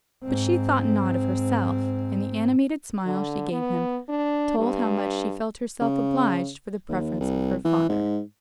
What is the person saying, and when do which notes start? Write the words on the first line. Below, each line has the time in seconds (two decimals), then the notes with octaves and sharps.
But she thought not of herself, and the animated smile she gave him, told how much she felt herself obliged for the preference of her father.
0.25 G#2 C4
3.06 D3
3.52 B3
4.09 D4
4.58 G2
5.81 C#3
6.89 D#2
7.20 C2
7.65 E3
7.89 G#2